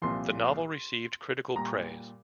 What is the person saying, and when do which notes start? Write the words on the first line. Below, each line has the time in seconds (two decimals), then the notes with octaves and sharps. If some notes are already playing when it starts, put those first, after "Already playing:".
The novel received critical praise.
0.02 C2 A#2 F3 C6
1.55 A#2 G3 A#5